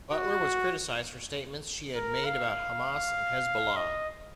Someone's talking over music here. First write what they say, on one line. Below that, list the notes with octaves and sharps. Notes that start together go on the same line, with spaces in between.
Butler was criticized for statements she had made about Hamas and Hezbollah.
F#4
A#4
F5
D#5